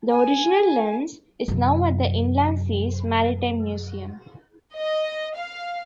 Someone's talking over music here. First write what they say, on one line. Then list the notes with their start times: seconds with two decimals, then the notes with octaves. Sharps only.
The original lens is now at the Inland Seas Maritime Museum.
0.10 G#5
1.48 F#2 C3
4.75 D#5
5.37 F5